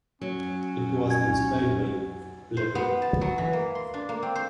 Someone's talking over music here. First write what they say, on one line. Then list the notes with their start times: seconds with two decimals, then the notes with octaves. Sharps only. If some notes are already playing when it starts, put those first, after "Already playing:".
It was inspired by Plato.
0.21 F#3 C#4
1.10 G#5 G#6
2.57 C5
2.75 B3
3.02 A5
3.21 F#3
3.38 E3
3.53 A#3
3.75 C6
3.94 D4
4.09 A#3
4.23 C4
4.35 C5